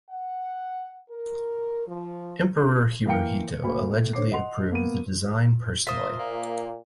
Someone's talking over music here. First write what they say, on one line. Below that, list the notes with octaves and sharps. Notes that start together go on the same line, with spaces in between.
Emperor Hirohito allegedly approved the design personally.
F#5
A#4
F3
E3 A#3 A#4 F5 G5 C#7
D2 A#3 B5
A2
D3 C5 C#5 D6 C7
D#5 F#5 C6 F7
A#3 B3 D#7
F4 A#4 C5 E5 D#6
A#2 A#3